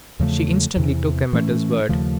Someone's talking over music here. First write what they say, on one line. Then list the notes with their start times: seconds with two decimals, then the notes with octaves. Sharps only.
She instantly took him at his word.
0.20 E2 C#3 F3 A3
0.76 E2 C3 E3
1.33 A2 E3 A3 C#4
1.89 D#2 C#3 F3 A3